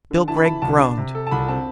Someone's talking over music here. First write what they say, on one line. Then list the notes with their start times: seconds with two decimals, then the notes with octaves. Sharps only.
Bill Gregg groaned.
0.11 D3
0.28 E3 A5
0.37 B5
0.44 E3 A5
0.62 C2 A5
0.79 D4
0.98 C3
1.15 A4
1.27 A5
1.31 C2 B5
1.48 C4 A5